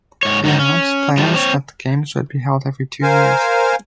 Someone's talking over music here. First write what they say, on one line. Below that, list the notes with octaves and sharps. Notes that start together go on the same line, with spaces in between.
He announced plans that the games would be held every two years.
G#2 C#5
G#2 D#3 F#3 D#4
C#4
F3 G3 A3
C4 C#5
A#4 C5 F5 G#5